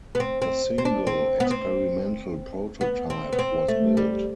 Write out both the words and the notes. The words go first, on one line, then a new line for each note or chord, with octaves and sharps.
A single experimental prototype was built.
B3
C4
C4
C4
D4
C4
B3
C4
B3
C4
B3
C4
A3
G3